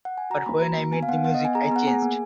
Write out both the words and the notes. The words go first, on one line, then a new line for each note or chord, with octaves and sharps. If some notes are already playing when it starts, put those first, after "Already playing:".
But when I met the music, I changed.
F#5
G#5
F#4 A#5
A#3 B5
F#4 A#5
A#3
B3 G#5
F5
B3 F#5
B3 F#5
D#5
B3 G#5
G#4 A#5
A#5
B3 F#5
G#4 G#5
A#3